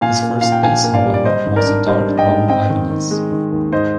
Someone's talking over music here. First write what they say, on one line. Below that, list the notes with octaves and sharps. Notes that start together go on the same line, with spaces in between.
His first bass, however, was a dark brown Ibanez.
A#2 F5 G#5
A#3
A#2 F5
G5
A#1 F5 G#5
A#3
D5 F5
G3
D5
G3 C5 D#5
G#1
A#4 D5
D4
G3 C5 D#5
D4
D#5 G5
G#2
C4 D#5 G5
D#3
D#3
G#3
D#3
D#2
G#2 C5 D#5